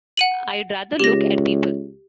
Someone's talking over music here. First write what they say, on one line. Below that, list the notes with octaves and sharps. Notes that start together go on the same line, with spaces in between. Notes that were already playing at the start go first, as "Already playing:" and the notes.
I’d rather look at people.
F#5 D#7 F#7
C#2 G4 A#6